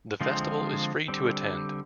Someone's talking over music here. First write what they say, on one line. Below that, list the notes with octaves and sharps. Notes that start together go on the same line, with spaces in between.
The festival is free to attend.
D3 F3 G#3 C4 F4
D3 G3 C4